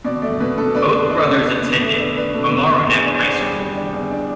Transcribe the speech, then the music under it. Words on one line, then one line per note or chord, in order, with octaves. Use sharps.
Both brothers attended Mamaroneck High School.
B2 D5
A3 D5
B2 B4
B2 A4
D4 B4
D4
D4 A4
B2
D4 B4
B2
B4
A3
B4
D4
D4 B4
B2 A4
B2 B4
B2 B4
E2 B4
D4
C5
E2
D5
G3
G3
D4
E2
D4